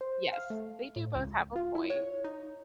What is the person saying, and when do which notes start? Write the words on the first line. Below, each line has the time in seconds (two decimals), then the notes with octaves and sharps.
Yes, they do both have a point.
0.01 C5
0.33 F5
0.50 A3
0.96 A2
1.15 C#2
1.56 F4
1.75 E4
1.90 C#5
2.24 D#4